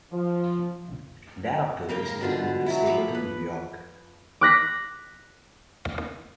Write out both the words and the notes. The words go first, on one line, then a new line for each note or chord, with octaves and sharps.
That October, she was moved to Stapleton, New York.
F3
C#3 A#3 A#4 G5
B2 D3 F4
F#3 E4
F3 C#5 B5 D6
B4
D6 F#6 A#6 B6